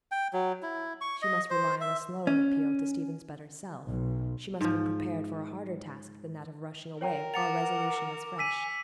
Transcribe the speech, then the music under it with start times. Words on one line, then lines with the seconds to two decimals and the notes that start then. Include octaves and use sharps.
She must rely on a slower appeal to Stephen's better self; she must be prepared for a harder task than that of rushing away while resolution was fresh.
0.11 G5
0.33 F#3
0.62 E4
1.01 C#6
1.22 D#5
1.50 C5
1.81 E5
2.27 C#4
3.85 B1
4.61 G#2 F3
7.01 A#4 C#5 G5 A#5
7.34 F#5 A#5 D6 A6 C#7 F7
8.38 G#5 E6 B6 D#7